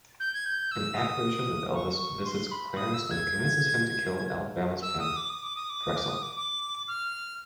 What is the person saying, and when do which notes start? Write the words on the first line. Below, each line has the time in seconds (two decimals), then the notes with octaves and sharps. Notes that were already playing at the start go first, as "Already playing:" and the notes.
An apparition of Elvis visits Clarence and convinces him to kill Alabama's pimp Drexl.
0.20 G6
0.34 G#6
0.46 G6
0.71 E6
0.97 D#6
1.75 C#6
2.25 C6
2.51 B5
2.77 D#6
2.94 E6
3.11 G#6
4.82 E6
5.00 D#6
5.16 D6
5.30 D#6
5.43 D6
5.56 D#6
5.70 D6
5.83 D#6
5.96 D6
6.09 D#6
6.22 D6
6.36 D6
6.88 F6